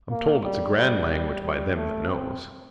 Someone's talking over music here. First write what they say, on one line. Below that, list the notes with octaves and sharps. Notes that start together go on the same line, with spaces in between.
I'm told it's a grand language by them that knows.
A#3
G3
G3
G3
G3
A3
C4